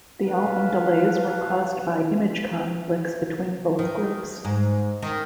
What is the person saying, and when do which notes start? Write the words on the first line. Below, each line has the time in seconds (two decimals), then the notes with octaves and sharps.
The album delays were caused by image conflicts between both groups.
0.24 B4 F5 A5
3.79 D#3
4.45 G#2
5.02 D#3